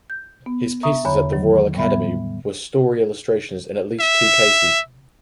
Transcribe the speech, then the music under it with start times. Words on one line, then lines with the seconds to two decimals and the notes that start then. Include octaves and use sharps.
His pieces at the Royal Academy were story illustrations in at least two cases.
0.10 G6
0.46 B3
0.83 E5 A#5 C#6 D#6
1.05 E2 D3 C#5 A#5 B5
1.32 D#3 F#3
1.75 A2 G3 B3 E5 B5
4.00 E5